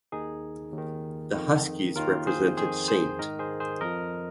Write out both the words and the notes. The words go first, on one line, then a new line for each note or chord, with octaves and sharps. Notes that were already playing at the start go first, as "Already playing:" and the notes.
The Huskies represented St.
D#2 D#3 D#4 G#4
D#2 D#3
F2 D#3
D#2 D#3 F4 A#4
G#4 C5
F2 D#3 G#4 C5
G#4 C5
G#2 D#3 A#4 D#5
G#4 C5
G#4 C5
F2 F3 A#4 D#5